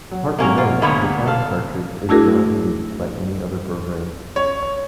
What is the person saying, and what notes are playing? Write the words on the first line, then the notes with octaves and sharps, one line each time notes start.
Apart from those the Sound Cartridge is not used by any other programs.
F#3
C3 F#3 A#3 C#4 A#4
B2 F4
D2 A#3 B3 C#5 B5
A4 F5
A3 D4 E4 F#4 G#4 A#4
C#5